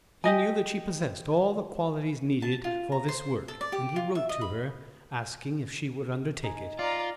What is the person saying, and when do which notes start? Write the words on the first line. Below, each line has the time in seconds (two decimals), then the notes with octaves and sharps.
He knew that she possessed all the qualities needed for this work, and he wrote to her, asking if she would undertake it.
0.24 G4 D#5 G#5
2.42 A5
2.64 F4
2.92 A#5
3.08 C5
3.48 A4
3.61 D5
3.72 G4
3.96 F4
4.15 E5
4.29 D#5
4.41 B5
6.44 D#4 G#5
6.79 F4 D5 A#5